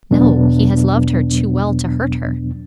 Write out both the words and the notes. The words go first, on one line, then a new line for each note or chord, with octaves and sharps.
'No, he has loved her too well to hurt her.'
E2 B2 F#3 B3 D4